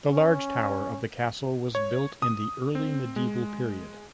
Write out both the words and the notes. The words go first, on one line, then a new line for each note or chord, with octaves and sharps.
The large tower of the castle was built in the early medieval period.
C#4
C#5
D#6
C4
G#3